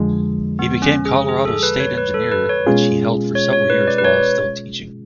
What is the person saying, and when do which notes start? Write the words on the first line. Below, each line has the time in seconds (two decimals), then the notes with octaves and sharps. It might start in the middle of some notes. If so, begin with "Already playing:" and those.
He became Colorado's State Engineer which he held for several years while still teaching.
Already playing: F2 D3 F3 G#3
0.59 B3
0.82 C#4
1.05 G#4
1.29 G#4
1.45 A4
1.63 B4
1.80 C#5
1.98 B4
2.14 A4
2.32 B4
2.49 C#5
2.67 B2 G#3 C#4 F4 G#4
3.35 C#5
3.53 C#5
3.70 B4
3.87 D5
3.98 B4
4.04 C#5